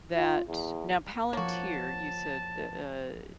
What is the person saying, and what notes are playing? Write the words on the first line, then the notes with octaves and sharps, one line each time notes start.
that now, Palantir, you said that, uh
F4
E2
F3 A#3 F#4 C#5 A5